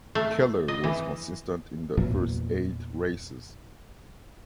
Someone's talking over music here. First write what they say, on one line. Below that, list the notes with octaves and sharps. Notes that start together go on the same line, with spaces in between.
Keller was consistent in the first eight races.
A3
D#5
E3
E2 A#2 F#3